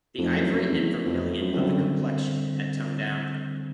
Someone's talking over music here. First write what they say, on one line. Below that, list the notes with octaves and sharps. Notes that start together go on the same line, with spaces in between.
The ivory and vermilion of the complexion had toned down.
F2 F3 A3 C4 D#4
F#2
F#2
E2
F2
F#2
F2
F#2 D3 G3 C4